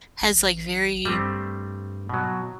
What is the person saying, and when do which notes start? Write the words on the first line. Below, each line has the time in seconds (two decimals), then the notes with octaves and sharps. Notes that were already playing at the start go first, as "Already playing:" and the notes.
has like, very,
0.21 A1
1.05 G2 G3 A3 C4
2.09 B2 F#3